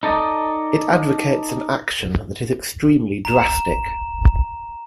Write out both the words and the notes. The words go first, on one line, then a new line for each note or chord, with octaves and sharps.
It advocates an action that is extremely drastic.
D#4 A4 D5 D#5
A#5 E7